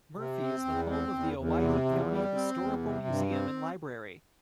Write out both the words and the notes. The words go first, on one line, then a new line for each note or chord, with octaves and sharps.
Murphy is the home of the Owyhee County Historical Museum and Library.
C3
C4
E2
C4
E2
E2
C3
E2
G3
C4
E2
C3
G2
C4